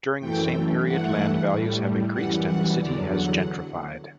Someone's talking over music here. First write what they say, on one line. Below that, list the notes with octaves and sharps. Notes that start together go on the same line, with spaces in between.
During the same period, land values have increased and the city has gentrified.
F#2 E3 A3 G5
G2 E3 A3 F#5
A2 G3
F#2 E3 G3 F#5
F#5
E2 D3 F#3 D5
F#5